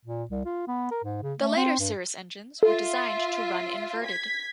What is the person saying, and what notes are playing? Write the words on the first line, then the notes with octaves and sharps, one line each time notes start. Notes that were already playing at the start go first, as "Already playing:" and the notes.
The later Cirrus engines were designed to run inverted.
A#2
C2
F4
B3
A#4
G#2
C#3
A3
C4
G2
F4 A4 E5
G#6 B6